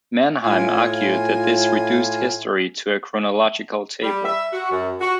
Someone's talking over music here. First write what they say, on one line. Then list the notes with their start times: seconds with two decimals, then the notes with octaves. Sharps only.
Mannheim argued that this reduced history to "a chronological table".
0.43 A2 F4 G#5
4.03 G3
4.25 E5
4.52 F#4
4.71 F#2
5.01 F#4